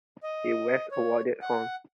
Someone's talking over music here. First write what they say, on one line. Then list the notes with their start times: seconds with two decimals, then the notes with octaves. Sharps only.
He was awarded Hon.
0.23 D#5
0.91 C#5
1.42 F#5